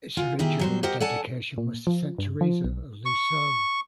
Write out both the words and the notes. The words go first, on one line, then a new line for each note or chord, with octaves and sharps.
Its original dedication was to Saint Theresa of Lisieux.
F4 F#5 G#5
B2 D#3 E4 G4 G#4
F#3 G3 C5
G4 A#4 C5 D#5 F#5 G5
A4 D5 F#5 G#5 A5
A#2
F3
G2
F3
B1
C#6